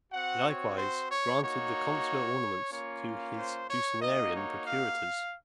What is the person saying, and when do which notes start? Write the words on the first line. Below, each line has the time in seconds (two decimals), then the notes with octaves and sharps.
He likewise granted the consular ornaments to his Ducenarian procurators.
0.12 C4 F#4 F#5
0.44 C#5
0.76 C5
1.09 C#5
1.41 A#3 D#4 F#4 C#5
2.71 A#3 C#4 F4 C#5
3.36 C5
3.68 C#5
4.00 A#3 D#4 F#4 D#5
4.34 C#5
4.65 F5